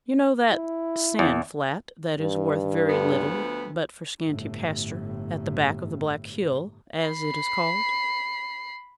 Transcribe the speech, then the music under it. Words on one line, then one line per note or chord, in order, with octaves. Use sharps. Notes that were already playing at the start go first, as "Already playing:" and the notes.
You know that sand flat, that is worth very little but for scanty pasture, at the back of the Black Hill, as it is called.
E4
E2
G2
D2 F3 B3
G1 A2
B5 C7